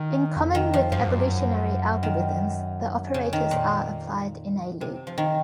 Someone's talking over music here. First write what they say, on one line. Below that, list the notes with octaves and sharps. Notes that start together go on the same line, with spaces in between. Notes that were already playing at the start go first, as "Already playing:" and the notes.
In common with evolutionary algorithms, the operators are applied in a loop.
Already playing: D#3
F2
D#3
F3
F#2 F3
G#2
F#2
D#3
F2 C#3
D#3
A#2
F#2 C3
F3
D#3